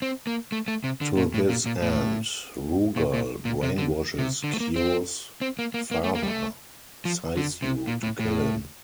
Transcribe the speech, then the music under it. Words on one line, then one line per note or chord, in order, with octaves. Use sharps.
To this end, Rugal brainwashes Kyo's father, Saisyu, to kill him.
C4
A#3
A3
A3
C3
D3
A#2
A2
A#2
A#2
A2
A#2
A#2
A#2
C3
D3
C3
D3
A3
A#3
C4
C4
A#3
A#3
A#3
A3
A#3
G3
A3
F3
D3
C3
A#2
A2
A2